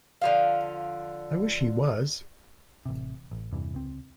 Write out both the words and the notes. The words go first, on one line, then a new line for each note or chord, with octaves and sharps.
I wish he was!
D3 F3 F5
A1 C3
A1
E2 G2 C3 E3
C#2 C4